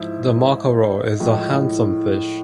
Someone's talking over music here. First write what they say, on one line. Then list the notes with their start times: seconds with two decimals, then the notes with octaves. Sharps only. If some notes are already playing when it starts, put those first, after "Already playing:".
The mackerel is a handsome fish.
Already playing: G#2 F3 E4
1.20 A2 F3 G#3